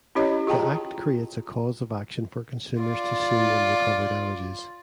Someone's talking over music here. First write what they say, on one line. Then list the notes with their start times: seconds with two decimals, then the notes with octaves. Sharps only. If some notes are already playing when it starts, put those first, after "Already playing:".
The Act creates a cause of action for consumers to sue and recover damages.
0.15 C#4 E4 G4 C#5 D#5
0.47 F4 G#4 D#5 G5 A5 A#5
2.81 F4 D5